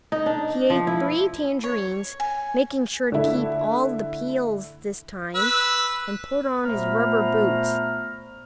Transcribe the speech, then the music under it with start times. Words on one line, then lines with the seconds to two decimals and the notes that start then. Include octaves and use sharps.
He ate three tangerines, making sure to keep all the peels this time, and put on his rubber boots.
0.12 D#4
0.26 D4
0.70 F3
0.87 E4
1.64 C#5
2.20 G#5
3.12 D3 A3 E4
5.35 B4 E6
6.64 A#2 A3 B3 C5 A#5 F6